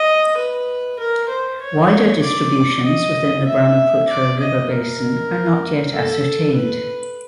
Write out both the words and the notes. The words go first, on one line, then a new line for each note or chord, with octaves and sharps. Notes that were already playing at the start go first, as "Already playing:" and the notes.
Wider distributions within the Brahmaputra River basin are not yet ascertained.
Already playing: D#5
B4
A#4
C5
C#5
D5
D#5
E5
D5
D#5
A#4
A4
B4